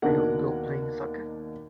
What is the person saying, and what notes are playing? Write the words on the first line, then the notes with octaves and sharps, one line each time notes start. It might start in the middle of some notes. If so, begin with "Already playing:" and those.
A young girl playing soccer.
D#2 B2 D4 A#4 F#5